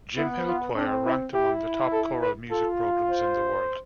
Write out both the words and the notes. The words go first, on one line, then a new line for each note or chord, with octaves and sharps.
Jim Hill choir ranked among the top choral music programs in the world.
B3 E4
F4
C4 D4
E4
E4 G4
A4
B4
F4 A4
C5